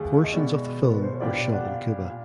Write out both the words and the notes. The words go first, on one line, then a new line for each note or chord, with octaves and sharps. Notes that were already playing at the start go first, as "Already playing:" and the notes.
Portions of the film were shot in Cuba.
Already playing: D#2 D3 F#3 A3 D4 G#4
D#5
B2 G#3 B3 D5
A#4
B4
C5
C#5
A#2 G3 B3 D4 G4 D5
F#5
F5
A#2